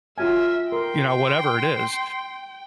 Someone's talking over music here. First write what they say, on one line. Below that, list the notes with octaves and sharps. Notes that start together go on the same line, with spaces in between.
you know, whatever it is.
F4 F#4 A#4 E5 G#5
A#4 G5 C6